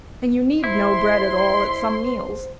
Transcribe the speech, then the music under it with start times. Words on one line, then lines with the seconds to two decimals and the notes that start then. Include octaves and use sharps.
And you need no bread at all at some meals.
0.64 E4 C5 C6